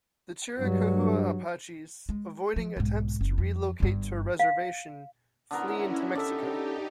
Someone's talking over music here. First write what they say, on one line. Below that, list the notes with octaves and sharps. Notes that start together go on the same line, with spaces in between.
The Chiricahua Apaches, avoiding attempts to relocate to a reservation, flee into Mexico.
G2 F#3
G#3
F3
B1 G#2
F#1
F2
G1 G2
F5
D3 B3 C#4 E4 A#4
C#4 D#4 G4 A4 D5 E5